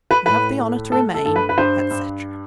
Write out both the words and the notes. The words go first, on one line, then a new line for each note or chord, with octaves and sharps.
I have the honour to remain, etc.
B4
A2 B4
A3
A3 A4
A4
G2 A4
B4
B4
G2 C5
G2